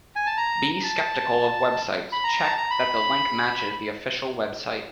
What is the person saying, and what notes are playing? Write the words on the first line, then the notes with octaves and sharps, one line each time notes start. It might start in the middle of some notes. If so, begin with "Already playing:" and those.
Be skeptical of websites, check that the link matches the official website.
G#5
A5
A#5
A5
B5
A#5
A5
A#5
B5